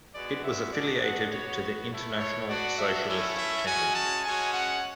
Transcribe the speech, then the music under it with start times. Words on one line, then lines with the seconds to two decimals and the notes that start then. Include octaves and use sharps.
It was affiliated to the International Socialist Tendency.
0.15 G#3 B3 F#4 D5
0.44 E5
0.73 G#3 D4 F#4 D5
1.03 F#5
1.32 B3 F#4 C#5
1.90 A3 E4
2.20 C#5
2.49 B3 D4 F#4 D5
2.78 E5
3.07 A3 C#4 E4
3.37 E5
3.66 G#3 C#4 F#4 G#5
3.95 A5
4.25 G#3 C#4 F#4 G#5
4.54 F#5